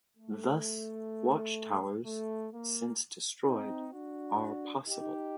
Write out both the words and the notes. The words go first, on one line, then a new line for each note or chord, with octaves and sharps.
Thus, watch towers, since destroyed, are possible.
A3
A3
A#3
C4 D#4
D4 F#4
D#4 G4